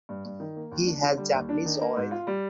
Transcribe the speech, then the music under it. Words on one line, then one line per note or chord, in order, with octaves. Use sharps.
He has Japanese origin.
G2
G2
D#3
A#3
D#2
D4
D3
G3
D#2
D4
D#3
A#3
G#2
F4
G3